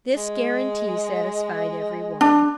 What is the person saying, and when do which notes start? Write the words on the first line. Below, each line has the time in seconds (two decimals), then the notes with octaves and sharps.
This guarantee satisfied every one.
0.17 G#3
2.21 D4